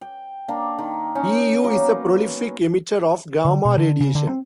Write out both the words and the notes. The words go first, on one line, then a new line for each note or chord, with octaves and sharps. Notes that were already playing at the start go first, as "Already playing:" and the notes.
Eu is a prolific emitter of gamma radiation.
G5
A#3 D4
D#3
C#4 D#4
F#3 A#3 B3
D3
B2
D3
C#3
D3
C4